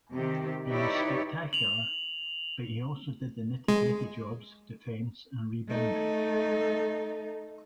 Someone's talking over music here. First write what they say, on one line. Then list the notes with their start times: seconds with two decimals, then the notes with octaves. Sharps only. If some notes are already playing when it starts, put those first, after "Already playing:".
He was spectacular, but he also did the nitty gritty jobs, defense and rebounding.
0.13 C3 D#3 G4
0.68 D#4 E4 G4 B4 C#5 D5
1.53 F7 F#7
3.68 G#3
5.68 A3 D#4 A4